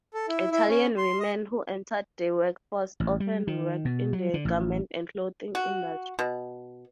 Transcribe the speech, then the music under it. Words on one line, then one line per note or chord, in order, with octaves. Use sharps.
Italian women who entered the workforce often worked in the garment and clothing industry.
A4
E4
E4
C#4
C6
D#5
A1
G3
D#3
B2
F#3
D3
A1
F#4
B2